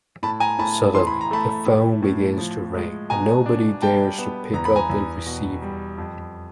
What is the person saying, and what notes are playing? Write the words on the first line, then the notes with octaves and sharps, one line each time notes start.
Suddenly, the phone begins to ring, but nobody dares to pick up the receiver.
A2 A5 B5
G#5 A#5
A2 A5 B5
E3 C6
B5
A#5
A3 A5 B5
A2
A2
F3
G#3
B2 G#5 A#5
D4
G3 G5 A5
B3
E2 A#5
B5
G#5 A#5
E2
B2
G3
F2